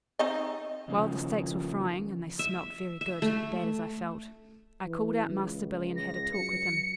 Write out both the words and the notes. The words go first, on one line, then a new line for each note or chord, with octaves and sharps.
While the steaks were frying--and they smelt very good, bad as I felt--I called out Master Billy and had a talk with him.
C4 D#4 D#5
D#2 C#3 F3
E5
E5
A3
E3
C#2
A#6
F#3 C#7